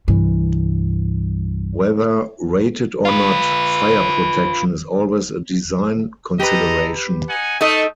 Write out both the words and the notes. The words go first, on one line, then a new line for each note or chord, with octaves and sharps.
Whether rated or not, fire protection is always a design consideration.
C2 G2 E3
F4 B4
G4 A4 B4 D#5 A#5
D#4 F#5 G#5
A3 D#4 A4 D#5